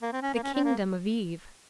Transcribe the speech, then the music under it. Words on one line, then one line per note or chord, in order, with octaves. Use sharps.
The kingdom of Eve.
A#3
C4
C#4
A#3
C#4
C4
A#3